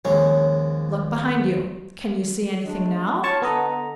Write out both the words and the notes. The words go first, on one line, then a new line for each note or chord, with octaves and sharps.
'Look behind you! can you see anything now?'
A#1 D#2 G#3 C#4
G#3 A3 D4
C#4 F4 C#5 A5 C#6
D3 B3 A4 D#5 A#5